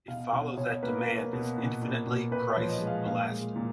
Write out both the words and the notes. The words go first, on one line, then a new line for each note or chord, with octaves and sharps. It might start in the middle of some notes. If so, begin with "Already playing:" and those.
It follows that demand is infinitely price-elastic.
B2 F5
B2 F5
B2 C#5
A#3 B4
A#3
B2
A#2
A#2
A#2
A#2 B4
C#5
F3
D#5
G#3
F5
A#2 F5
G#3
A#2